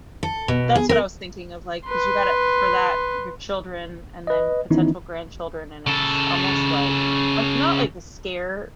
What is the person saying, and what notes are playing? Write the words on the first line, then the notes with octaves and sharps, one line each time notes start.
That's what I was thinking of, like, 'cause you gotta for that, your children and then potential grandchildren, and it's almost like, um not like the scare,
A4
B2
G#4
A#4
B4 C6
B4 D#5
D#3 E3 B3 C#4 D#4 E4
C#3 A4